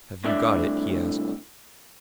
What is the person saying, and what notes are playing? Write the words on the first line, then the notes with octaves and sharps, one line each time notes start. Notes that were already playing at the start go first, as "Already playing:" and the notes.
"Have you got it?" he asked.
C2 A2 D4 D5 E5